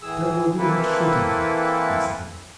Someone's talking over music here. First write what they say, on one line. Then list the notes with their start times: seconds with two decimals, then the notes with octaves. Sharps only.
"There will be much shooting," he said.
0.02 A2 E3 G#4 E6
0.58 E3 A#3 C4 E4 A4 B4